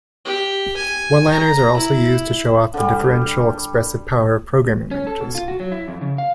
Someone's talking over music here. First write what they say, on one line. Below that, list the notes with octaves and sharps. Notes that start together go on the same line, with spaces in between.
One-liners are also used to show off the differential expressive power of programming languages.
G4
G#5
A#5
E4
D3 G3
C#4
A4
B2
F4
F#4
F#3
E4
F2
C#3
F5